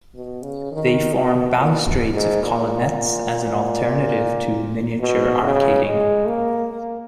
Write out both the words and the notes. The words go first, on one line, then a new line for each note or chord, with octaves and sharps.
They form balustrades of colonnettes as an alternative to miniature arcading.
B2
C#3
D#3
B2
A#2
G#2
A#2
B2
C#3
G#3
A#3
A#3